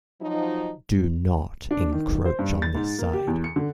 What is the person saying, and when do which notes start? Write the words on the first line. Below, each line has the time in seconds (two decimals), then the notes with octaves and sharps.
Do not encroach on this side.
0.21 F3 F#3 D#4
1.71 D4
1.92 D#3
2.25 C5
2.39 G2
2.62 A6
2.75 G#2
2.99 A#3
3.13 G4
3.27 E2
3.44 C#7
3.56 D3